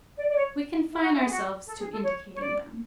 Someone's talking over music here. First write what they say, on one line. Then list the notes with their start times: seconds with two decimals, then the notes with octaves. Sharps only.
We confine ourselves to indicating them.
0.18 D5
0.29 D5
0.36 C#5
0.92 E4
1.02 F#4
1.13 E4
1.24 G#4
1.30 F#4
1.67 A4
1.79 G#4
1.92 A4
2.04 C#5
2.34 C#5
2.41 D5